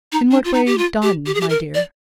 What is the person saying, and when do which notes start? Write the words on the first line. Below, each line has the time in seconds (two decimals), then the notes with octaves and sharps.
"In what way 'done,' my dear?"
0.12 D#4
0.31 D4
0.45 F4
0.54 D#4
0.66 G4
0.78 F4
1.03 G4
1.26 G4
1.34 G#4
1.41 G4
1.49 A#4
1.74 D5